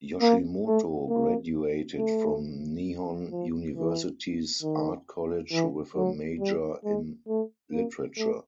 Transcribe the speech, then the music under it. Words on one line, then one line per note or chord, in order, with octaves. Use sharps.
Yoshimoto graduated from Nihon University's Art College with a major in literature.
A#3
A3
A#3
A3
F3
E3
D#3
E3
F#3
G3
G#3
A3
A#3
A3